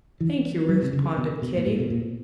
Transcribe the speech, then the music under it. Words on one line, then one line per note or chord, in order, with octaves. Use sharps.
"Thank you," responded Kitty.
E3
F#3
C3
C#3
B2
B2
A#2
A2
B2
A#2